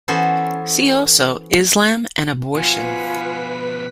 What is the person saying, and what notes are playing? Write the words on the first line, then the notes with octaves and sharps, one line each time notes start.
See also: Islam and abortion.
E3 B3 C#4 F#4 A4 C5
B2 F3 F4 B4 F5 F#5 G#5 B6